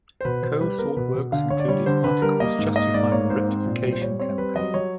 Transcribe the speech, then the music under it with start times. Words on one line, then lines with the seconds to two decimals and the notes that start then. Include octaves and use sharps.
Coe sought works included articles justifying the Rectification campaign.
0.21 C5
0.25 B2 B4
0.43 B2 C5
0.61 G3 B4
0.78 B3 A#4
0.97 B2 B4
1.15 B2
1.32 D3 F5
1.50 D3 C#5
1.60 D5
1.68 G3 C#5
1.86 D3 C5
2.04 D3 B4
2.22 G3 A#4
2.40 A#3 D#5
2.58 G#2
2.76 A#3 D#5
2.94 G#2 D5
3.12 A#3 C#5
3.30 G#2 C5
3.48 C4
3.66 A#2
3.84 G3
3.93 C5
4.02 G3 C#5
4.20 C4 C#5
4.38 G3 B4
4.56 F#3 D#5
4.74 F#3 C#5